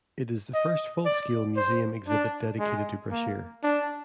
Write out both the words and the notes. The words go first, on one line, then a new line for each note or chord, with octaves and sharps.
It is the first full-scale museum exhibit dedicated to Brashear.
D#5
D5
C5
D4
G#3
A#3
D4